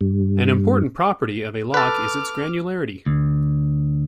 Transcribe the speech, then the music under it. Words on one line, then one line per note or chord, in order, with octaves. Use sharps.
An important property of a lock is its "granularity".
G2
A4 B4 D6 F6
D2